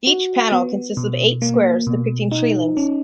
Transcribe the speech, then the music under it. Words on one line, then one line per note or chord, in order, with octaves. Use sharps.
Each panel consists of eight squares depicting tree limbs.
F#4
B3
B2
A#3
B2
D#4
C#4